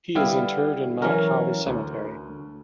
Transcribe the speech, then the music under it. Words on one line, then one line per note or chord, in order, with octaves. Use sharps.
He is interred in Mount Holly Cemetery.
D3 G3 B3 E4 F5
E3 F#3 C#4 A#4
D2